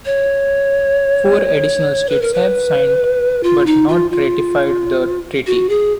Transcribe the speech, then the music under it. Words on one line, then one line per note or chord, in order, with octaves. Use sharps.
Four additional states have signed but not ratified the treaty.
C#5
B4
A#4
B4
F4
D#4
F4
F4
F#4
G#4